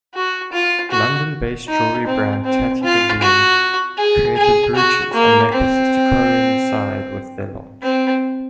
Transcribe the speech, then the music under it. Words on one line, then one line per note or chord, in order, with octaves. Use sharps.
London-based jewellery brand Tatty Devine created brooches and necklaces to coincide with the launch.
F#4
F4
F#4
D#4
C4
C4
F4
F#4
G#4
G#4
F#4
A#3
C4
C4